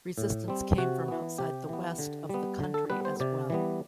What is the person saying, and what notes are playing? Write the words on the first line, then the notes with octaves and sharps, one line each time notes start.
Resistance came from outside the West of the country as well.
A2
G3 C4
C3 F#4
E3 B3
C3 G4
E3 B3
D3
G3 B3
D3
A4
G3 B3 B4
C5
C3 D5
E3 G3 B3